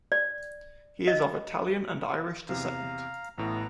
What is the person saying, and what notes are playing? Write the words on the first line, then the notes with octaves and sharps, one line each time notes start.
He is of Italian and Irish descent.
D5
D#5
E2 C3 F5 A#5
A1 A2 B3 A#5